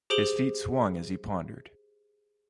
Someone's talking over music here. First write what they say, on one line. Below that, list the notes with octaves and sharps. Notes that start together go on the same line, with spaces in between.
His feet swung as he pondered.
G4 G#4 C5 D7 F#7 G7